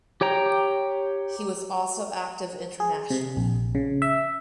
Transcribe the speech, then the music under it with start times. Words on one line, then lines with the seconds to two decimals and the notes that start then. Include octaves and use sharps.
He was also active internationally.
0.21 G4 C#5 G5 A#5
2.80 G#4
3.10 C3
3.37 A#1
3.75 C#3
4.02 E5